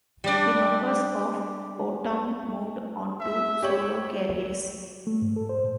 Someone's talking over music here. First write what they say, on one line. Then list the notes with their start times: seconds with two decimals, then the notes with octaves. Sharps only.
The members of O-Town moved on to solo careers.
0.24 G3 D4 G4 D5
3.20 E5
3.62 G4 C#5 F#7
5.07 A3
5.22 G#2
5.36 A4
5.49 C5
5.64 A2